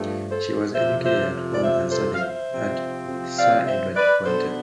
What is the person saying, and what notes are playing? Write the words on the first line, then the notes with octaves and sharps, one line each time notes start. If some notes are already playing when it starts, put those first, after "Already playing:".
She was educated at home and studied art with Sir Edward Poynter.
Already playing: G2 F3 A3
A4 C5
F2 C3 F3 C5 E5
C5 E5
D5
C5 E5
A4 C5
F5
C5 E5
C3 F3 C4
D5 F5
C5 E5
B4 D5
B2 B3 D4 A4 C5